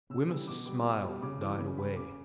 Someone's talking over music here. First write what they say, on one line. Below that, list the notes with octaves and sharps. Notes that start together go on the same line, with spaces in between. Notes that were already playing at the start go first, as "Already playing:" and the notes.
Wemyss's smile died away.
C#3 E6
E3 G3 E6
B2 D6
G3 D6
B2
G3
C#3 D6
E3 G3 D6
C#3
G3 B5
C#3 D6